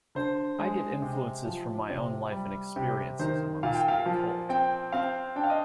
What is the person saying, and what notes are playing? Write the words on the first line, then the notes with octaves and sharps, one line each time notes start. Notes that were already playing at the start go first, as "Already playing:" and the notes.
I get influences from my own life and experiences amongst the occult.
D3 C5
G#3
C3
F3
C3
G3
C3 G4
D#3 C5
A#2 F5
G5
F5
F3
C4 G5
C4 F5
D4 G5
F5
D#5